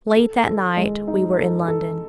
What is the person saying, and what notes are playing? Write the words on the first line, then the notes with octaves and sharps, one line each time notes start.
Late that night we were in London.
A4
A4
G#3
D#4
A4
A4